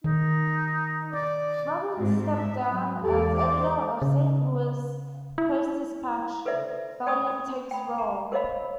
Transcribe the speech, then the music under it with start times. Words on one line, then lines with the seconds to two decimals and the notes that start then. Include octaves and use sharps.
"Robbins steps down as editor of Saint Louis Post-Dispatch, Bailon takes role".
0.04 D#3 D#4
1.13 D5
1.97 G#2 C4
2.37 E5
2.69 F#3
3.03 E2 G#3 G4 A4 D5
3.35 C5 D6
4.02 C#3
5.38 E4
6.45 A4 B4 C5 D5 E5
7.07 D5 G5 A5 B5 C#6 D#6
7.71 G5 B5
7.98 A#5
8.32 A#4 C5 C#5 D#5 F5 B5